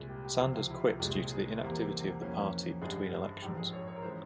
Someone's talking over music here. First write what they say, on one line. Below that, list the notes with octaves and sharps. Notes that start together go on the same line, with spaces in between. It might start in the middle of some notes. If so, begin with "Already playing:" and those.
Sanders quit due to the inactivity of the party between elections.
Already playing: C2 A#2 G#3 G#4
G4
G4
C#2 C3 F3 F4
F4
E4
F4
C2 A#2 G#3 G4
G#4
G#4
E2 C3 E3 G3 A#3
F2 E3 A#3 C#4
G1 G2 G3 G#4
A#1 G#2 F3 G4
G#4
C#5
C#5
A#4
E3 G#3 C#4 C5